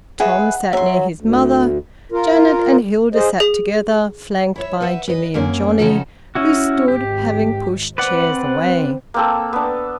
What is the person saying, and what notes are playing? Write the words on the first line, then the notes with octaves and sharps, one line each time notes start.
Tom sat near his mother. Janet and Hilda sat together, flanked by Jimmie and Johnnie, who stood, having pushed chairs away.
G#4 B4 E5 F#5
F#3 E5 C6
D2
F4 A#4
G#4 C5 D#5
G#4
E4 C#5 E5
B4 C5 E5 F#5
B4 D#5
F#2 A#3 C4 C#4
C#3 F3 C#4 D#4 F#4 A4
C#4 E4 F#4
G#1 G4
C4 B4 D5 F#5
A#3 C4 A4
B3 D4